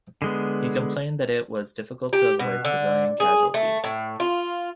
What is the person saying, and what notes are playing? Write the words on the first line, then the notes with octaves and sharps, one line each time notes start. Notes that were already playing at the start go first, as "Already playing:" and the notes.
He complained that it was difficult to avoid civilian casualties.
D3 G#3 B3
G4
B2
D3
G#4
A3
A2
F4